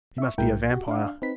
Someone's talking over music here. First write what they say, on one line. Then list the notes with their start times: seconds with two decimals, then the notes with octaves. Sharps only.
"He must be a vampire."
0.18 E5 C#6
0.38 B1 A2 G#3 E4 A#4 G5
0.55 B1
0.71 F#4 G4
0.88 D4 F5
1.22 C4 D#4 B4 B6